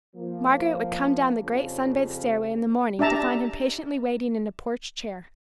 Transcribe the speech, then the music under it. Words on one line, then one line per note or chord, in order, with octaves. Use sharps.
Margaret would come down the great sun-bathed stairway in the morning to find him patiently waiting in a porch chair.
F3 A#3
F2 C#3 F3 G3 C4
D4 G4 E5 A5 A#5